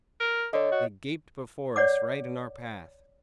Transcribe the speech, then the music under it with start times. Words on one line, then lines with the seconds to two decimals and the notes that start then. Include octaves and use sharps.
They gaped before us right in our path.
0.20 A#4
0.53 D3 C#5 D#5
0.72 F#4
1.76 C#5 D5 F#5 D6